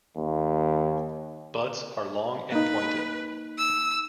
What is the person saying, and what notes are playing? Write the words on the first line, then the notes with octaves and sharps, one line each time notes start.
Buds are long and pointed.
D#2
A#3 D#4 B4
E6